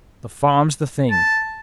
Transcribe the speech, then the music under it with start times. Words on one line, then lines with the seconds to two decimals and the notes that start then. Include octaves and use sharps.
The farm's the thing.
1.11 A5